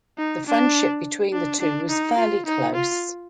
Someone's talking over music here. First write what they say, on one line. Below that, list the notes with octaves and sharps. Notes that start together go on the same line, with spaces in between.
The friendship between the two was fairly close.
D#4
D4
D4
D4
D#4
F4
D#4
F4